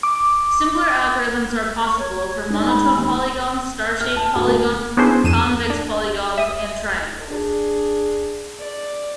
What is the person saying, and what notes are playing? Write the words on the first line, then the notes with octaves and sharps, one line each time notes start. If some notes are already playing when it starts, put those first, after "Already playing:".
Simpler algorithms are possible for monotone polygons, star-shaped polygons, convex polygons and triangles.
D6
C#6
C#5
G#2 D4
B5
D#2 B5
F6
A5
D2
A#3
B3 C#4 D4 E4 G#4 C5
F2 D#7 E7
D4
E5 D#6
D4 G#4
D5